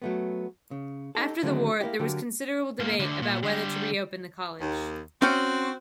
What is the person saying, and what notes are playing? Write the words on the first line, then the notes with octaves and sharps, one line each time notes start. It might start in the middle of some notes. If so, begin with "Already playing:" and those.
After the war there was considerable debate about whether to reopen the college.
F#3 A3 B3
C#3
D#4 G4 A4
D3 D#3 F#3 G#3 A3 C4
A#3 B3 E4 G4
D3 F#3 A#3 G4
G#2 A#3
D2 D3
A#2
D3 G3
D#2
C4 C#4 F#4 G5